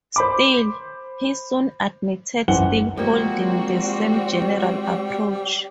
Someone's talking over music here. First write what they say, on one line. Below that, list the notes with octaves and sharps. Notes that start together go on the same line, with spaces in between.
Still, he soon admitted still holding "the same general approach".
C5 B5 D6
F#1 E3 C4 F#5 G7
F3 G3 G#3 A#3 C4 F#4